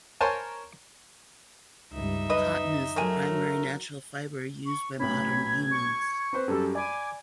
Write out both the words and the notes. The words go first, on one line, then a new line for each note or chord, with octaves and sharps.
Cotton is the primary natural fibre used by modern humans.
A#4 C5 C#5 G#5 A5
C#2 G2 G3 D#4 E5
F#2 B4 D#5
C3 F#3 A3 A#4 G#5
C#6
B1 A2 C#4 B5 G#6
C#6
C4 B4 C5
F#2 G3 A4
D5 G#5 B5 D6